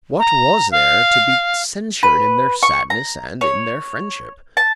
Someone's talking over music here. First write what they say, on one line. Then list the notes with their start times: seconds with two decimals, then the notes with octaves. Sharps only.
What was there to be censured in their sadness and in their friendship?
0.19 A#5
0.71 F5
2.03 B4
2.63 C#6
2.90 A#5
3.41 C#5
4.57 A5